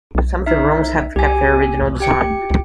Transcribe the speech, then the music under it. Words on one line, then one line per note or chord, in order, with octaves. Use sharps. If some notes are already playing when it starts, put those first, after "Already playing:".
Some of the rooms have kept their original design.
B1
D#4 E5
C2 G4 G#5
G4 G5 C#7
C#2